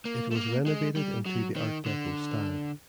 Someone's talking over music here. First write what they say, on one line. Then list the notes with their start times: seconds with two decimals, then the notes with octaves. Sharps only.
It was renovated into the Art Deco style.
0.05 A#3
0.31 A3
0.35 A#3
0.66 G#3
0.96 G3
1.26 F#3
1.56 D#3
1.86 D3